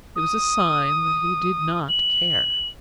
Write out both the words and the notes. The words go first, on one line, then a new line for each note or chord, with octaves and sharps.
It was a sign that he did not care.
D#6
F#7